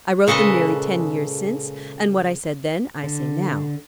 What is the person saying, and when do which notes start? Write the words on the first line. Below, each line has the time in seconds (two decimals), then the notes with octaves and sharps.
I wrote them nearly ten years since; and what I said then, I say now.
0.27 A#2 C#3 G#3 A4 B4 D#5
3.03 D3